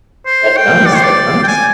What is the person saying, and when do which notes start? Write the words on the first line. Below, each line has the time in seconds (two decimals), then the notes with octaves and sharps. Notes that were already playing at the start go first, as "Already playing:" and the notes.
That's nice, that's nice.
0.26 C5
0.56 G5
0.86 D5
0.96 C5
1.03 D5
1.43 G5
1.48 G#5